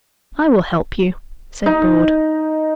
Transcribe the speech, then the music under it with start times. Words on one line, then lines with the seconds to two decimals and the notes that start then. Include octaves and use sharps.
I will help you,' said Broad.
1.66 D#4